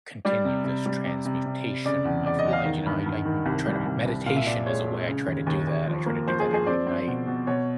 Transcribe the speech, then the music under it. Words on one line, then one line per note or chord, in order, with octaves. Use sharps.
continue this transmutation of my feelings, you know, I I, m try to meditation is a way I try to do that, I try to do that every night,
G3 D5
C3
C3
G3
C3
C3
C3
C3
C#3 D5
E2
E2 D5
D#5
E2
F5
D#3
G2
G2
D#3
C2
G3
C2
C2
A#2 F5
E5
A#2 D5
G#3 C#5
G#3
C#3
D#2
D#2
D#2
F3
A#3
F3 C5
G#4
F3
G#4
C4 D5
C4
B2
B2
B2 C#5